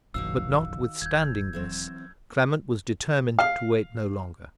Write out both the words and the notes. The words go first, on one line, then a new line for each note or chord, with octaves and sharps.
But, notwithstanding this, Clement was determined to wait no longer.
E1 A#1 F#2 D#3 F#4 F5 E6
D#1 G6 G#6
E3 F#3 C4
F5